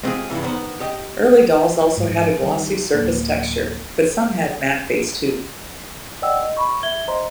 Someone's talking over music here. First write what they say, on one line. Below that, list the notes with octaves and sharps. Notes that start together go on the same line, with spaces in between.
Early dolls also had a glossy surface texture, but some had matte face too.
G#3 B3 C4 F4 G4 G#4
G2 A#2 C#3 E3
D#3 B3 C5
G4 D#5 G5
G#2 F3
D#3 G3
D1 A#3
D5 D#5 F#5 G5 E6
D#5
B5 C#6
E5 G#6 G7
C5 D#5 A#5 C6